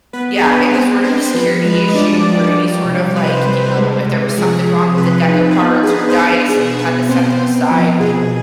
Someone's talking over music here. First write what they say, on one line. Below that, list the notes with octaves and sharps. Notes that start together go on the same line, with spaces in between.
Yeah, any sort of a security issue or any sort of, like, you know, if there was something wrong with a deck of cards or dice and we had to set them aside,
B3 B4
G#4
D4 B4
B3 C4 C5
C4 D4 C5
F3 B4
G#3 B4
D#5
G3 D4 D5
G3
F3
C3
C3 B4
C5
B4
G3
G#3
C3
F3 G#4
F3
C4 B4
D#4
G#4
B3 B4
G#4
D4 B4
C5
B3 B4
B2 G#4
B3 B4
B3 C4 C5
C4
F3
B2 G#4